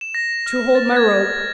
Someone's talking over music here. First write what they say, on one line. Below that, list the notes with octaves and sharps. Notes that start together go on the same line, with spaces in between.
Two hold my rope.
E7
A#6
F6
A6
G#6